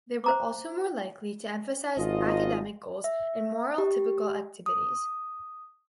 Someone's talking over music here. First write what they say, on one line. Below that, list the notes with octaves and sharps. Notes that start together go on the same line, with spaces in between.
They were also more likely to emphasize academic goals and moral typical activities.
C5 A#5 D6
G#1 F4 D#5
E5
G4
D#6